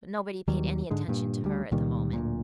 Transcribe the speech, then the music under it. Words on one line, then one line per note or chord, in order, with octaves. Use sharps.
But nobody paid any attention to her at the moment.
D#2 D#3 F#3 G3
G#2 D3 G#3
G2 A#2
D2 G3
C#2 A#2 D#3 G3
D1 G1 D2 A#2